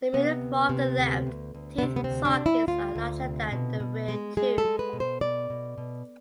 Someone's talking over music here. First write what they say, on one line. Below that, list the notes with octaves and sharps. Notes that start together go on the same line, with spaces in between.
The middle four of the left teeth sockets are larger than the rear two.
C3 B3
D2
C3
D2
D2
D2
B3
C3 C4
B3
C4
D2
D4
D2
E4
D2 F4
D2
C3
B2
B2
G#3
G#3 G#4
A4
G#3
B4
B2
C5
B2 D5
B2
B2